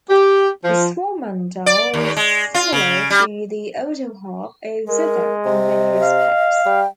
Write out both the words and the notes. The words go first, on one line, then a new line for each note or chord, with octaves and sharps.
The swarmandal is similar to the autoharp or zither in many respects.
G4
F3
D5
D#2
G#3
F4
C#3
G3
G#3 A#4
C3 D#5
F5
G3 G5